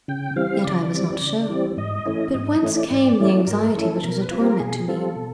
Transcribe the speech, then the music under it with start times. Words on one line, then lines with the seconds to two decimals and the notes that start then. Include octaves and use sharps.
Yet I was not so; but whence came the anxiety which was a torment to me?
0.08 C#3 G5
0.36 E3 G3 C4 F5
0.64 C#3 D5
0.93 E3 G3 C4
1.21 C#3
1.49 E3 G3 C4
1.77 G#2 D#5
2.06 E3 A3 C#4 E4
2.34 G#2 D#5
2.53 D#5
2.62 E3 A3 C#4 E4
2.72 D5
2.91 G#2
3.19 E3 A3 C#4 E4
3.47 G#2 A#4
3.75 E3 A3 C#4 E4 A4
4.03 B2 A#4
4.22 B4
4.31 G3 C4 F4
4.41 A#4
4.60 B2 G#4
4.88 G3 C4 F4 A4
5.16 B2